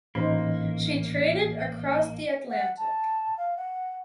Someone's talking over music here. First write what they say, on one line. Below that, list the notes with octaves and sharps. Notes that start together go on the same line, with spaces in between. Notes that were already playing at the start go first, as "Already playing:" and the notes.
She traded across the Atlantic.
A1 A#3 D#4 C5 B5
F#5
A5
F5
F#5